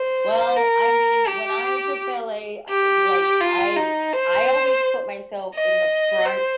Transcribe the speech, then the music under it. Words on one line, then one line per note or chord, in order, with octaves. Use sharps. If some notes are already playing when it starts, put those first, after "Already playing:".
Well, I mean, when I took ballet, uh, like, I I always put myself in the front
Already playing: C5
A#4
G4
G4
F4
D#4
C5
D#5
C5